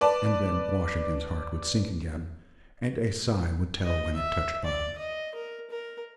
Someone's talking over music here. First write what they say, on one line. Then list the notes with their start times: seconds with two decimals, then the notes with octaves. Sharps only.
And then Washington's heart would sink again and a sigh would tell when it touched bottom.
0.01 B4 D5 A5
3.84 D#5
4.15 E5
4.65 D5
4.98 D#5
5.35 A#4
5.70 A#4